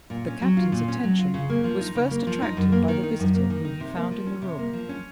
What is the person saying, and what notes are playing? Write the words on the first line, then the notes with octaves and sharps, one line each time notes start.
The Captain's attention was first attracted by the visitor whom he found in the room.
A#2
C#4
F#3
F4
A#2
C#4
F#3
F4
C#3
A#3
F3
D#4
C#3
A#3
F3
D#4
F#2
A#3
D#3
D#4
F#2
A#3
D#3
D#4
C3
A#3
F3
C#4
C3
A#3
F3
C#4